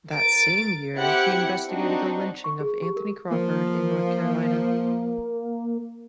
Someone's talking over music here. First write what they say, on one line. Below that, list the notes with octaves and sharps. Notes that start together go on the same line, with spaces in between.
That same year he investigated the Lynching of Anthony Crawford in North Carolina.
A#4 A6 D7
C4 E4 G4 F#5 F#6 C#7
C4 D4 D#4 F#4
C#6
G#4
G4
A#4
F3 A#3